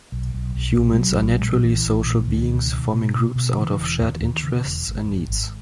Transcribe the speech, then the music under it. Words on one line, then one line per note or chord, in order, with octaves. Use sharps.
Humans are naturally social beings, forming groups out of shared interests and needs.
B1
B1
B1
B1
G#3
A#1 F#3
A#1
A#2 G#3
F#3
A#1 E3
A#1
A#2
C#2 D#3
B2
B2
B2
B2
B2
C#3 E3
E1
D#2
D#2
C#3
E1
G#1
G#1
G#1